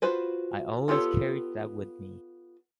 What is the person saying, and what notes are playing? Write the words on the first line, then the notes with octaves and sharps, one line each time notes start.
I always carried that with me.
F4 F#4 B4 C5
B3 F4 G4 A4 C#5